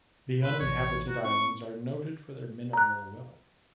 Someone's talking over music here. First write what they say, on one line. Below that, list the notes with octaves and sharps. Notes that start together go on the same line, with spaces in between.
The uninhabited islands are noted for their mineral wealth.
A#2 B4 C6 E6
A1 E3 C#5
F#4 A#5
C4 E4 C#6
A#5 F#6